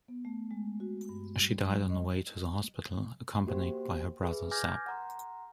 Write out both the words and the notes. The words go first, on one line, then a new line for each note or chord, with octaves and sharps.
She died on the way to the hospital accompanied by her brother Zab.
B3
A3
G#3
F#4
G2
G3
F#3
D#5
A#3 F#4 G4 C5
G#4 B4 E5
G#5 D6 F6 G6 G#6 A#6
F#5 A#5 C6